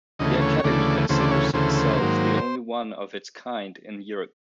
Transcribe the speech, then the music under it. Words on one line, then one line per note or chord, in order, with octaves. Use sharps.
The academy considers itself the only one of its kind in Europe.
D2 C#3 E3 A3 D#5
C#5
C#5
D2 C#3 E3 A3 D5
D2 C#3 E3 A3 C5
D5
C#5
D2 C#3 E3 A3 C5
C5
G#2 D#3 F#3 A#3